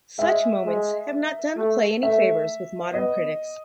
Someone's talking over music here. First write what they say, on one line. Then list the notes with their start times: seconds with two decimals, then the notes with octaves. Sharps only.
Such moments have not done the play any favours with modern critics.
0.19 G#3 E5
0.64 G#3
1.57 A3
2.03 A3 E5
2.94 B3 D#5